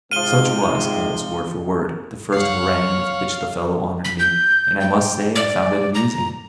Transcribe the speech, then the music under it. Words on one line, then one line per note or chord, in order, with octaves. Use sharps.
Such was, almost word for word, the first harangue with which the fellow honoured me, and I must say I found it amusing.
G#2 C3 F3 C4 F5 D#7 G7
C#2 F#2 F#3 C#5 F5 F#5
B6
G6
G5
D5
A#5